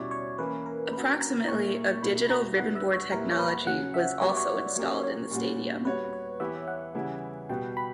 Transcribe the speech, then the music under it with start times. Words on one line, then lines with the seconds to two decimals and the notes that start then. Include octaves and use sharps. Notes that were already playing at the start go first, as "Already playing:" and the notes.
Approximately of digital ribbon board technology was also installed in the stadium.
Already playing: B2 G3 C#4 E4 C#5 D5
0.11 C#5
0.38 E3 A#3 C#4 B4
0.66 A#4
0.93 A#3 C#4 F#4 B4
1.21 A#5
1.48 A#2 A#3 E4 C#6
1.75 C#6
2.03 B2 A#3 E4 B5
2.30 A#5
2.57 D3 G3 B3 E4 F#5
2.75 E5
2.94 C#5
3.12 A#2 G3 B3 E4 A#4
3.31 C#5
3.39 B4
3.66 C#3 F#3 C#4 F#4 F#5
3.94 E5
4.21 G3 B3 F#4 C#5
4.29 D5
4.37 C#5
4.76 F#3 A#3 C#4 G4 C#5
5.03 C#5
5.31 A#2 G3 C#4 F#4
5.85 G3 B3 F#4 B4 C#5
6.13 C#5
6.40 E3 B3 E4 G4 E5
6.68 F#5
6.94 C#3 E3 G3 B3 E4
7.49 B2 G3 B3 G5
7.77 B5